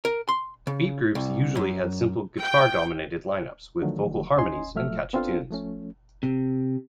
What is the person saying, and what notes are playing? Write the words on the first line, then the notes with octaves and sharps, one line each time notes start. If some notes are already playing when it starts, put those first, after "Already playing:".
Beat groups usually had simple guitar-dominated line-ups, with vocal harmonies and catchy tunes.
A#4
C6
C#3
C2
F#2
G5
D3 D#3 F3 F#3 A3
D2 C#4 D#5 G#5 C6
A#2 F3 F#3 A3 E5 F6
B3 C4 D4 F4 A4 F5
F3 A3 C#4
C3